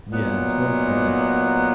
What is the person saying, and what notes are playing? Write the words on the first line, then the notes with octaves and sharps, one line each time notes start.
Yeah, so funny.
A#2 F#3 B3 D#4